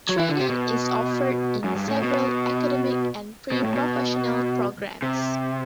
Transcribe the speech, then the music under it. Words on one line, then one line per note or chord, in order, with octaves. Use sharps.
Training is offered in several academic and pre-professional programs.
F#3
E3
D3
C3
B2
F#2
G2
A2
B2
B2
A2
B2
C3